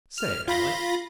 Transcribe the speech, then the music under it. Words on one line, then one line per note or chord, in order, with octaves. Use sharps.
"Say, Alec."
F6
F4 B5 A#6